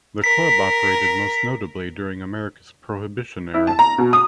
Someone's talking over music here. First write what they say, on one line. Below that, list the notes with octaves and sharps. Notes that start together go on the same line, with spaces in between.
The club operated most notably during America's Prohibition Era.
A#4 B6
E4
A5
A#5
B2
D#6